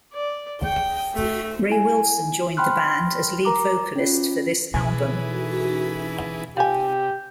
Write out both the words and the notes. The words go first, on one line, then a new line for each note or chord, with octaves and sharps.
Ray Wilson joined the band as lead vocalist for this album.
D5
G5
A3
E4 G#5
G5 B5 C6 F6 F#6
A#4 A#5 D6
C#4 F4
B2 E3 G#4 B4 G#5
C3 F4 G4 G#5